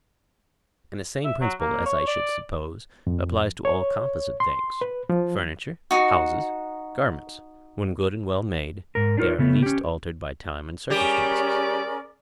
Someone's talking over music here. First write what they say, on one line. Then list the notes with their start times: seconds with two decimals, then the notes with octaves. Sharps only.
And the same principle, as I should suppose, applies to all composite things--furniture, houses, garments: when good and well made, they are least altered by time and circumstances.
1.24 E5
1.41 F#3
1.60 A#3
1.86 C#5
2.07 D5
3.07 F2
3.65 C#5
4.40 C6
4.81 B4
5.10 F3
5.91 D#4 F#4
8.95 G#2 A#4
9.17 D4 D#4 F4 A#4 C#5
9.39 C#3 A3 B3
9.63 C#4 G4
10.90 G3 C#4 G4 G#4 A#4 D5